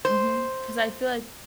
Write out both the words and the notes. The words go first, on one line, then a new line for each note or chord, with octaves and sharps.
Mhm, 'cause I feel, like
C5